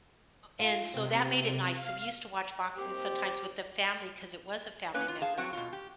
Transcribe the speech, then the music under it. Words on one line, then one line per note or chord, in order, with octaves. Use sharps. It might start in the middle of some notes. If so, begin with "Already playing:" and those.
and so that made it nice, so we used to watch boxing sometimes with the family 'cause it was a family member
D#4 F4
C3 C4
F5
D#2 C4 G4
A#3 B3 C#4 B4
F4
G#4 F5 A5
F#3 C4 F#4 F#5
B2 F4
G4